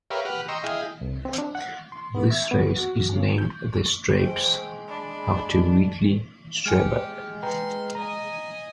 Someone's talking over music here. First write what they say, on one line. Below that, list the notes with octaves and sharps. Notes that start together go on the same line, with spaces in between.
This race is named the Streibs after Whitley Strieber.
G4 A#4 B4 C#5 E5 F5
G4 B4 F#5 F6
D#5 G5 A#5 C6 C#6 E6
E4 G#4 D#5 F5 G5
C2
C4
D4
F#5
C6
B3
E5
B3
F#4
C#3
G6
G#3 C5 G5
D4 B5
G#3 G4 G#5 F6
B4 G5 A#5 C6
D#5 G#5 A#5